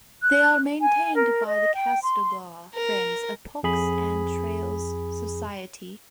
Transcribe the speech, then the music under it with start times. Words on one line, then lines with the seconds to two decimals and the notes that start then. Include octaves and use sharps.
They are maintained by the Castlegar Friends of Parks and Trails Society.
0.22 F#6
0.81 G#5
1.15 A#4
1.46 D#5
1.75 G5
2.02 C6
2.74 A#4
3.63 F2 G#4 B5